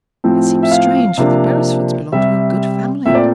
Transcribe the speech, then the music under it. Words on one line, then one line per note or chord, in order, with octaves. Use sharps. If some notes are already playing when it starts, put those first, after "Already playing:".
It seems strange, for the Beresfords belong to a good family.'
A2 F3 C4
E5
F5
C3 F3 A#3 D4
C3 G3 C4 E5
A#2 A3 C4 E5
D5